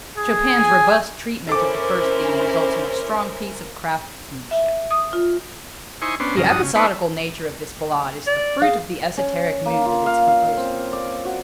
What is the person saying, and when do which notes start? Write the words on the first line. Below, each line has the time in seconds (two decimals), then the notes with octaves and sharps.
Chopin's robust treatment of the first theme results in a strong piece of craftmanship. The episodical nature of this Ballade is the fruit of the esoteric moods of its composer.
0.17 G#4
0.58 G#5
1.49 C#4 E4 A4 A#4 C5 D6
4.51 E5
4.91 D#6
5.13 F4
6.02 D#4 E4 C5 G#5 C#6
6.20 B3 C#4 D4 C5
6.37 F#2 C#3 F3 G#3 A#5
6.50 G2 F3 D#4 F#4 D#6
6.63 C#3
6.75 B3 D#4 B4 C5 D5 C#6
8.27 D5
8.62 G#4 F5
9.17 C#4
9.66 A#3
9.86 F4
10.06 F5
10.28 F5
10.57 C4
10.93 D5
11.25 F#4